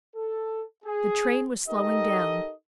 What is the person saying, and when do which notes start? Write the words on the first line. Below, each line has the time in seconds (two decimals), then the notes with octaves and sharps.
The train was slowing down.
0.15 A4
0.85 G#4
1.68 D#4 G4 A4 A#4 D#5